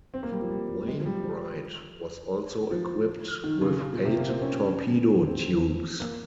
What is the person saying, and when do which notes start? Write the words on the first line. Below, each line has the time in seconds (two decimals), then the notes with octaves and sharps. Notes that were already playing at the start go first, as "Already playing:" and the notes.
"Wainwright" was also equipped with eight torpedo tubes.
0.14 C4
0.23 A#3
0.32 G3
0.42 F3
0.50 G3
0.88 G#3
1.00 F3
1.06 G3
1.24 F3
2.71 F3
3.44 D#3
3.61 C#3
3.80 C#3
3.93 A#2
4.05 C3
4.17 A#3
4.29 C4
4.42 C#4
5.26 C4
6.00 A#3